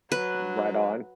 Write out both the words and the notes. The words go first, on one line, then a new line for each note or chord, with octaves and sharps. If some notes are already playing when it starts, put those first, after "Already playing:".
Right on.
F#3 B4